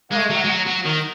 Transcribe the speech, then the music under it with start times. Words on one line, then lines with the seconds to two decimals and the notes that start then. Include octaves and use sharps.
Oh my ness.
0.11 G#3
0.30 F#3
0.44 G#3
0.49 F#3
0.67 F#3
0.85 D#3